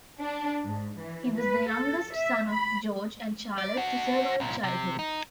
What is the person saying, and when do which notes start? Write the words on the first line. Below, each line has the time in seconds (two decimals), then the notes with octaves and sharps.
He was the youngest son of George and Charlotte to survive childhood.
0.19 D4
0.64 G#2
0.98 E3
1.36 B4
1.70 A4
2.14 E5
2.52 B5
3.58 D5
3.77 D4 F#4
4.40 C2 A#2
4.63 C3
4.99 D#4